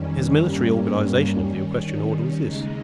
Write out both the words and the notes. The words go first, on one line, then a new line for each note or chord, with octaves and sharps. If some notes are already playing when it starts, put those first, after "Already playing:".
His military organization of the equestrian order was this.
Already playing: F2 D#3 G3 C#4
G2 G3 A#3 C#4
D#3 G3 C#4
D#2 C#3 G#3 D#4